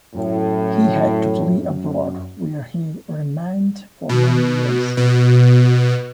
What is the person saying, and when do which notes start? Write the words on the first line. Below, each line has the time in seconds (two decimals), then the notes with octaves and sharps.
He had to flee abroad where he remained for many years.
0.15 F#2 A2
4.09 B2
4.97 B2